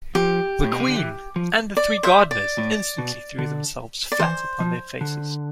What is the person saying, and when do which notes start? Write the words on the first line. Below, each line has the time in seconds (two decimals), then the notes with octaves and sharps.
The Queen!’ and the three gardeners instantly threw themselves flat upon their faces.
0.15 F3 G4
0.64 A2
0.72 B2
0.80 C3
0.88 D3
0.96 E3
1.36 F3
1.77 D5
2.03 C5 E5
2.31 D5
2.58 A2
2.98 B2
3.39 D3
4.12 D5
4.19 E3 C5
4.60 F3
5.01 D3